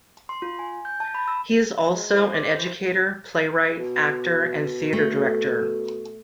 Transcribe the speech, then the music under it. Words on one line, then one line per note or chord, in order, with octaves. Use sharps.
He is also an educator, playwright, actor and theatre director.
C6
F4
G#5
G6
A5
B5
E6
G#3
E4 C5
D5
E3
B2
A3